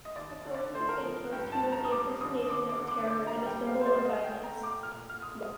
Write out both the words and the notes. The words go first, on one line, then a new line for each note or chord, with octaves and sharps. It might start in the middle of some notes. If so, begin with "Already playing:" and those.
According to Santos, he was "the impersonation of terror and a symbol of violence".
D#5
D#2 D5
D3
D5
A3 C5
A#4
F3
G2 G5
A5
G2
A#5
D#6
G3 D6
D#2 D#6
D#2 D6
D6
D3
D6
D4 D6
A#5
G3
G5
A3 F5
C5
D5
C2
D#5
A3 G5
A#5
A3
D6
A#2 F6
A#2 F6
D#6